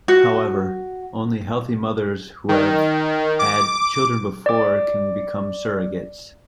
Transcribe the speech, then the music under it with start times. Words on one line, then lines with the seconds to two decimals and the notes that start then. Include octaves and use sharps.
However, only healthy mothers who have had children before can become surrogates.
0.08 F#4
2.49 D#3
3.39 D6
4.46 D5 D6